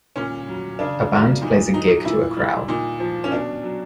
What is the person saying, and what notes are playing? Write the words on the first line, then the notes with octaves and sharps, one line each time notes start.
A band plays a gig to a crowd.
A#2 C#4
F#3
C#3 D4
F#3
A#2 D#4
F#3 D#4
A#2 E4
G3
A#2 D#4
F3
C#4
B2 D4
F#3